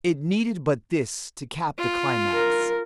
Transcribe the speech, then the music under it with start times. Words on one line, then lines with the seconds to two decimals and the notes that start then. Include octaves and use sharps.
It needed but this to cap the climax.
1.79 F4
2.34 A#4